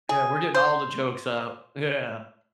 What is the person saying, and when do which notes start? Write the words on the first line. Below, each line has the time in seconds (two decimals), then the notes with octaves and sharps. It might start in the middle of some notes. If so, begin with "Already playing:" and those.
Yeah, we're getting all the jokes out, yeah.
0.09 G#4
0.54 C5